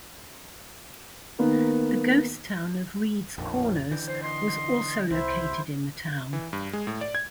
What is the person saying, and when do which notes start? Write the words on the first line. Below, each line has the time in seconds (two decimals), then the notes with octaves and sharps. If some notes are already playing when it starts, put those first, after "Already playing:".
The ghost town of Reeds Corners was also located in the town.
1.39 D#3 A#3 B3
3.38 A#1 F2 A2 D#3 F3
3.91 D3 E3 G6
4.07 C5
4.22 D#5 C6
5.11 C2 E4 C5 E5
6.33 E3
6.53 G2
6.73 G#3
6.87 A2
7.01 D5
7.15 G#6